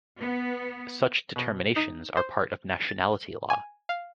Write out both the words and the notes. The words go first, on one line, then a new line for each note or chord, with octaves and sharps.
Such determinations are part of nationality law.
B3
B2
D#4
C5
A6
G#5
F5